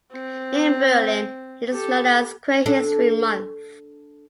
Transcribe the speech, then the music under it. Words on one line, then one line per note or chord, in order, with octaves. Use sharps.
In Berlin, It is known as Queer History Month.
C4
G4 A4
D4 A4